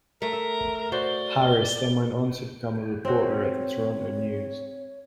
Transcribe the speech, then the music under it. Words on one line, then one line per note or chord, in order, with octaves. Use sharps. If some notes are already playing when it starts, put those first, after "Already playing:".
Harris then went on to become a reporter at the "Toronto News".
A3 A#4
E5
F#4 C5 D5 G7
C4 F#4 C#5